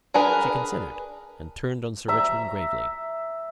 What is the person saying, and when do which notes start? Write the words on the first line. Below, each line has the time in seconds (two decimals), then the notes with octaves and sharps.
She considered and turned on Sir Richmond gravely.
0.14 D4 G#4 A#4 B4
2.08 E5 A#5